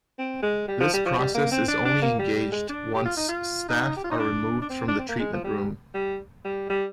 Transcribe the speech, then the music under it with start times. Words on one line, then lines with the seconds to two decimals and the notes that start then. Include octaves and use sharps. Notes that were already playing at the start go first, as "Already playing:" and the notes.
This process is only engaged once staff are removed from the treatment room.
0.18 C4
0.42 G#3
0.68 G3
0.81 F3
0.93 G3
1.06 F3
1.19 G3
1.35 A#3
1.52 C4
1.68 D4
1.85 D4
2.02 A#3
2.19 G3
2.35 G3
2.52 G#3
2.69 D4
2.94 G4
3.05 F4
3.17 D#4
3.28 F4
3.68 D#4
3.96 G4
4.04 F4
4.11 D#4
4.19 D4
4.62 D4
4.69 C4
4.88 D4
4.99 C4
5.08 A#3
5.19 G#3
5.33 F3
5.44 G3
5.94 G3
6.44 G3
6.70 G3